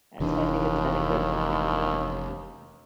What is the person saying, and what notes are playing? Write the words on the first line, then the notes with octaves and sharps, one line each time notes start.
and so I think it's been a good winter, yeah.
F1 D#2 E3 D4